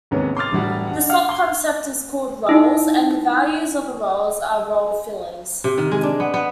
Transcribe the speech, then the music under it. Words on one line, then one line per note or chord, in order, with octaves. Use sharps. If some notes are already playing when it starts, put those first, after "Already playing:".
The slot-concept is called roles and the values of the roles are role-fillers.
D#2 G#2 C3 B3 C#4
C6 D6 D#6 F6 A6
E1 A2 G3 F#5
D4 F#5
F5 F#5 F6
C6 G7
D#4 E4 E6
C3
D#3
G#3
D4
B3
B3